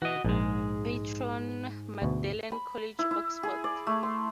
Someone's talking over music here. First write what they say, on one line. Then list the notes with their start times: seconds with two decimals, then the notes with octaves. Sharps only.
Patron, Magdalen College, Oxford.
0.02 E3 F#4 D#5
0.24 A#1 G#2 G#3
2.02 D2 B2
2.52 B5
2.99 E4
3.11 E4
3.43 G#4
3.64 D5
3.87 A3
4.03 C6